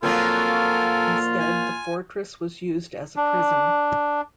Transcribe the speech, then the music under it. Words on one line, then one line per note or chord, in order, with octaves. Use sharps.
Instead the fortress was used as a prison.
A#2 F3 F#3 C4 F4 A4 A#4 G#5
G#5
D4